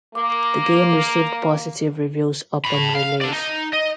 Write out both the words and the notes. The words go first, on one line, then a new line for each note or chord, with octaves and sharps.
The game received positive reviews upon release.
A#3 D6
A5 B5
F5
A4 D5
D#4
D#5